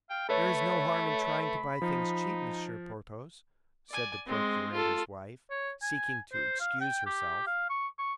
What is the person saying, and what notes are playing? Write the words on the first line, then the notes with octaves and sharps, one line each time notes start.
"There is no harm in trying to buy things cheap, Monsieur Porthos," said the procurator's wife, seeking to excuse herself.
F5 G5
A3 A4 B4 C#5 B5
F3 D#4
D5 G#5
G#3 C4
F4 A4
C#5
G#5
C5
F5
G5
G4
F5
C#6
C#6